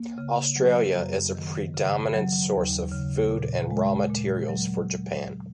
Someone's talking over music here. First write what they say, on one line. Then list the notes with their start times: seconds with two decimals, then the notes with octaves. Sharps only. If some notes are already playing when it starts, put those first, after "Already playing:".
Australia is a predominant source of food and raw materials for Japan.
Already playing: A#3
0.18 C#3
0.56 F#3
0.95 F#2
1.35 D#3
1.74 C#3
2.13 F#3
2.53 D#2
2.91 C#3
3.31 A#2
3.71 G#3
4.10 A#2
4.49 F#3